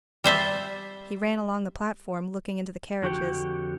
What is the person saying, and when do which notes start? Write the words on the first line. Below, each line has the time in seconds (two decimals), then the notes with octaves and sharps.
He ran along the platform, looking into the carriages.
0.24 G3 C5 E5 A5
3.02 F2 D3 F#4 G4 G5